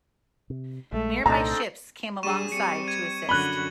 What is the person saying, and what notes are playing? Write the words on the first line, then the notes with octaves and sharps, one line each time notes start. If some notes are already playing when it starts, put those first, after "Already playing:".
Nearby ships came alongside to assist.
C3
A#1 D#3 G#3 A3
C2 A#2 A3 C4 D4 D#4 A4 A#5
G3 D4 G#4 C#6 D#7 E7
G3 C4 C#7
G#6 D#7
F#2 D3 F#4 B5 F#6 G#6 F#7 G7